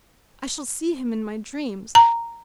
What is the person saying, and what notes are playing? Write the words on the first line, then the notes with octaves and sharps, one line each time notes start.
I shall see him in my dreams.
A#5